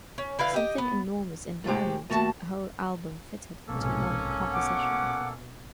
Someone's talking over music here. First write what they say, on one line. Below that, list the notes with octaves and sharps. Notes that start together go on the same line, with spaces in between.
Something enormous and violent, a whole album fitted into one composition.
C#4
D3 E4 B4 F5
G4 D#5
B3
A2 C3 G#3 G4
D#2 A3 F#4 A5
B1 G#2 C3 A#3 C#4 A4
B2 F#5 D6